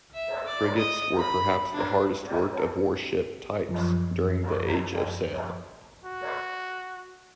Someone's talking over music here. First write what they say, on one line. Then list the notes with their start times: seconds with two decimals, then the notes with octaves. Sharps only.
Frigates were perhaps the hardest-worked of warship types during the Age of Sail.
0.14 E5
0.47 D5
0.77 D#5
1.19 B5
1.72 D4
3.69 F#2 F3
6.05 F#4